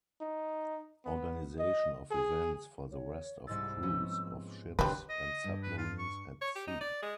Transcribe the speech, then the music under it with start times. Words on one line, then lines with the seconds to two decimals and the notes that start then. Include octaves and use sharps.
Organization of events for the rest of crews of ships and submarines at sea.
0.21 D#4
1.05 B3
1.58 D#5
2.11 G#4
2.92 C#5
3.47 C2 G#2 E6 A6
3.83 F3 B3 C#4
4.79 D3 G3 B4 C#5 C6
5.09 D#5
5.44 G2
5.63 B4
5.78 F4
5.99 C#6
6.41 C#5
6.56 G4
6.67 D#4
6.81 D5
7.02 G#3